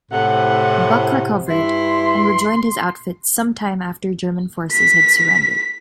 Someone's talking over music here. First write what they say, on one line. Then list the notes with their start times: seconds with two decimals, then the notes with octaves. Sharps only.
Buck recovered, and rejoined his outfit sometime after German forces had surrendered.
0.12 A2 C3 F#5
1.50 G2 E4 C6
4.73 B6